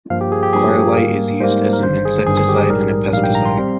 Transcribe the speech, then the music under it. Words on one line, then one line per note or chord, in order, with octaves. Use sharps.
Cryolite is used as an insecticide and a pesticide.
G2 F3 A#3 F5
G4
G#4
G4
G2 F3 A#3 G#4
G#2 G3 A#3
G#2 G3 A#3 C5
A#4
G1 G2 D#3 C5
G#4
G1 G2 D#3 G#4
G#4
G4
G#4
A#1 G#2 G3 A#4
A#1 G#2 G3 F5
G5
A#5
C6
G3 C4